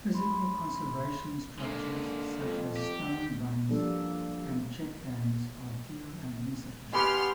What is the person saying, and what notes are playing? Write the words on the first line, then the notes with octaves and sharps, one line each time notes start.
Physical conservation structures such as stone bunds and check dams are few and insufficient.
B5 C6
D3 D#3 G#3 A#3
F2 A4
G4
F3 G3 A#3 D4 A4
B3 G4 G#5 B5 C6 F6